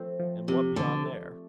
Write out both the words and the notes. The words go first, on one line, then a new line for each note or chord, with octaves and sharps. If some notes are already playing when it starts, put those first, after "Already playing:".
"And what beyond there?"
Already playing: F3 A3 C4
F3
C3 F3
D3 A3